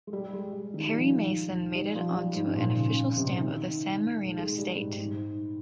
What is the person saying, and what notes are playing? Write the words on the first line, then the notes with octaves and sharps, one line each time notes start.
Perry Mason made it onto an official stamp of the San Marino state.
G#3
G3
G#3
G3
D#3
G3
F3
G3
F3
G3
G#2
A#2
C#3
C3
D#3
G#3
G#3
G3
G#2
G#2